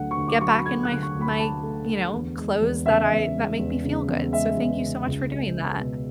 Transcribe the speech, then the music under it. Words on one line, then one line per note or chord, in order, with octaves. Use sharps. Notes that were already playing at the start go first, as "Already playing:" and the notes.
get back in my f my, you know, clothes that I that make me feel good, so, thank you so much for doing that.
Already playing: D2 D3 F#3 A3 F#5
C#6
D2
D6
F#3 C#6
B5
A3 G#6
F#6
D3
C#6
D2
B5
F#3 A5
A3
D3
E2
G#3
E2
C#3 E5
E2
G#3
E2
C#3
E2
G#3 E5
E2
C#3
C#2
G#3
B3
B2